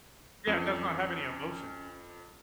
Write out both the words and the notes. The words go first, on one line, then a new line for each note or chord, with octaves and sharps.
Yeah, it does not have any emotion.
F2 C#4